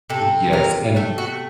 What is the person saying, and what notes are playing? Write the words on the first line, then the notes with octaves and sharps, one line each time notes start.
Yes. And
C3 A4
C3 A#4
A3 A4
F#4